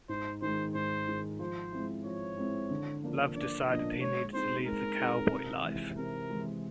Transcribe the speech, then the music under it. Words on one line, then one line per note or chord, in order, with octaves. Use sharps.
Love decided he needed to leave the cowboy life.
G#2 C5
D#3 G#3 C5
G#2 C5
D#3 G#3
F3 C5
G#3 C4 E4
F3 C#5
G#3 C4 E4
D3
F3 A#3 D4
D3 D5
F3 A#3 D4 D#5
G#3 C#5
C4 D#4 G#4 C5
G#3 A#4
C4 D#4 G#4
C3
E3 G#3
C3 A#4
E3 G#3